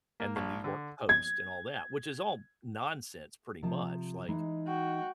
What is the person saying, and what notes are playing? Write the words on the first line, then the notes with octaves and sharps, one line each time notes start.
and the New York Post, and all that, which is all nonsense pretty much, like,
A#3
A#1
D3
G#6
C3 F3 A5
E3 G#3 D#4
F#4 G5